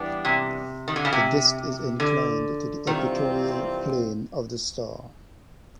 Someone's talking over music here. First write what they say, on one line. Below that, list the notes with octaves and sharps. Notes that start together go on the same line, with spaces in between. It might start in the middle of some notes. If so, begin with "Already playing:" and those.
The disk is inclined to the equatorial plane of the star.
Already playing: E3 G3 B3 D4 G4
C3
D#3
D3
C#3
C3
D3
C3 D#3 E3 G3 C4 F4